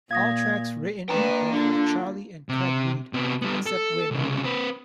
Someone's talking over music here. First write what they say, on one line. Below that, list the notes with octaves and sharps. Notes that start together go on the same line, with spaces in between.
All tracks written and composed by Charlie and Craig Reid, except where noted.
A#2 F5 D#6 G#6 A#6
A#3 D4 B4 G5 A#5
D3 F4
C3
C3 B3
G3 B3
A4
C2 C#3
C4 B4